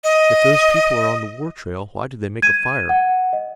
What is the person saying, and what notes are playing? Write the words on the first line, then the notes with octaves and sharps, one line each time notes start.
"If those people are on the war-trail why do they make a fire?"
D#5
G#6 D#7
F#5
D#5